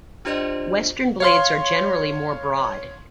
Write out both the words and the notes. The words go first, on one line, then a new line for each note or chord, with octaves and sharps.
Western blades are generally more broad.
D4 F4 G4 C5 D5 D#5
C#5 F5 C6